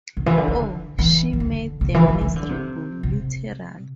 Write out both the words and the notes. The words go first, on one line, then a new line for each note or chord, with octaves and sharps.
Oh, she made them miserable, literally!
C3
E3
D3
D3
E3
E3
D3
C3
E3
D3
E3
D3
C3
C3